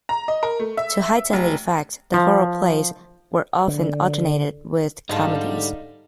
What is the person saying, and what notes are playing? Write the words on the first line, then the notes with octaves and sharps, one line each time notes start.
To heighten the effect, the horror plays were often alternated with comedies.
A#5
D#5
A#4
A3
E5
F1
F3
D3
G#2 D3 G3 D#4 F5 A5